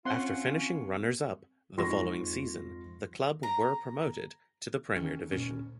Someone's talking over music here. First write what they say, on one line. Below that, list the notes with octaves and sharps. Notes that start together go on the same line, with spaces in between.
After finishing runners-up the following season, the club were promoted to the Premier Division.
C4 C#4 F4 F#5 C6
F2 G#2 F4 C6 C#6 A#6
A#5
D#3 C#4
D2 A#2 B3 C#4